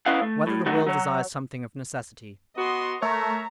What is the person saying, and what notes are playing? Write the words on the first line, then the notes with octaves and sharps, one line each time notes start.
Whether the Will Desires Something of Necessity?
C#4 E4 B4 D#5 F5 F#5
A3
A2
F#3 A3 D#4 F#4
F#3 C#5
B3 F#4 D#5 A#5 C6
A3 A#4 C#5 E5 A#5